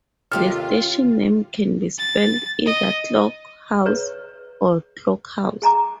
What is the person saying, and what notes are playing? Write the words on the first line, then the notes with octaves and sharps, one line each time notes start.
The station name can be spelt either Clock House or Clockhouse.
D#2 C3 C#4 F4 G4 A4 F5 F6
A6
D#5
G#4 B4 C#5
G#4 G#5 A#5 D6